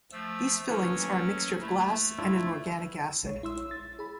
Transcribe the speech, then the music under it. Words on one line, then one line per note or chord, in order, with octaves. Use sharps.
These fillings are a mixture of glass and an organic acid.
F3 A3 E6
E3 F#3 A3 A#3 C#4 C#5
A3 E4
D4 E4 F4
A#1 G#3 C#5
E4 C6 E6
A6
G#4 B5